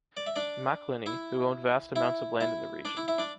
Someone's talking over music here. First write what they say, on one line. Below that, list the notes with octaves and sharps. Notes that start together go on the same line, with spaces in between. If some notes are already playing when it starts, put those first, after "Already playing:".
Macclenny, who owned vast amounts of land in the region.
D5
E5
D4 D5
E4 E5
E4 E5
E4 E5
D4 D5
E4 E5
E4 E5
D4 D5